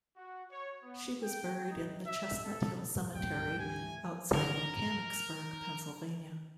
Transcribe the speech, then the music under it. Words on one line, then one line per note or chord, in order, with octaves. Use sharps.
She was buried in the Chestnut Hill Cemetery outside Mechanicsburg, Pennsylvania.
F#4
C#5
B3
G5
D#4
E5
A4
D2 G#2 C3 G3 G#3 G5
D3 E3 G3 A3 G#5
D3 A#4